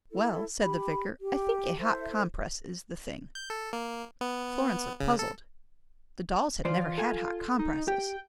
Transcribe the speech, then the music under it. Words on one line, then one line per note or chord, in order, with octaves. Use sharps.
"Well," said the vicar, "I think a hot compress is the thing." Florence looked puzzled; the dolls had never had hot compresses.
E4 A4
G4 B5
G4
E4 A4 C5 E5
G6
A4
A#3
B3
C#3
A4
E3 F4 C5 D5
A4 G#5
D#4
G4 G5